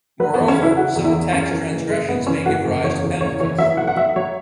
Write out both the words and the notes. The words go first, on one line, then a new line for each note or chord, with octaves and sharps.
Moreover, civil tax transgressions may give rise to penalties.
F#3 B4
B3
E2
C#4
C#3 E4
C#3 F#4
E2
E4
E2
F#2 C#4
E3
F#1
F#1 G#3
F#1 B3
E3 C#4
F#1 F#4
F#1
E2 C#5
E2
F#1 C#5
E3 C#5
F#3 E5
B1 F#5
F#5
F#3 E5
F#3 C#5